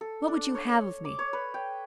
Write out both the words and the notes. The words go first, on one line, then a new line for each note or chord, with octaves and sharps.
What would you have of me?
A4
D4
C#5
D6
C#5
B4
G5